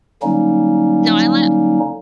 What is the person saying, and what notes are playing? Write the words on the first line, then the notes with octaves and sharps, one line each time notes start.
No, I li
D3 F#3 G3 A#3 C#4 D#4